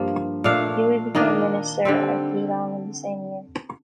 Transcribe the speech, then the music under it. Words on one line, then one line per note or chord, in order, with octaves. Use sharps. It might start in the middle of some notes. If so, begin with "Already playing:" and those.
Huie became minister at Geelong in the same year.
Already playing: G2 F3 A#3
A#2 A3 D4 F5
D#3 A#3 D4 D#5
D3 G3 C4